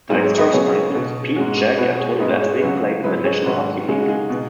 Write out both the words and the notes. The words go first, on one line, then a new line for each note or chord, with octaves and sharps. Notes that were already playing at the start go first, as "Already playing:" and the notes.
Dykstra's uncles, Pete, Jack, and Tony Leswick, played in the National Hockey League.
G#2 F#3 B3 D#4 G#4
G#4 C#5
B4 D#5
C#3 F#3 B3 G#4 C#5
B2 B3
G#2 G#3 C#4 F#4
D#4 G#4
B2 B3 F#4 B4
G#4 C#5
G#2 G#3 B3 B4 D#5
G#4 C#5
C#3 F#3 C#4 F#4 B4
G#2 F#3 C#4 B4 D#5
G#4 C#5
G#2 D#3 F#3 F#4 B4
C#3 G#3 C#4 D#4 G#4
F#4
D#4 G#4
B2 B3